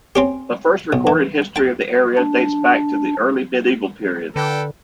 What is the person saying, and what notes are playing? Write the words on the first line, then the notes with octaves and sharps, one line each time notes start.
The first recorded history of the area dates back to the early medieval period.
C4 C#4 G4
B1
E3
G5 A5
D4
D3 A4 B4 G5